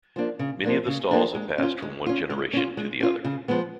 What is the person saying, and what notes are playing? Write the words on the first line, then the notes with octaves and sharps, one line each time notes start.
Many of the stalls have passed from one generation to the other.
F3 A#3 D4
C#3
F3 A#3 D4
C#3
F3 A#3 D4
G#3
C#4 F4
G#3
C#4 F4
G#3
C#4 F4
G#3
C#4 F4
C#3
F3 G#3 B3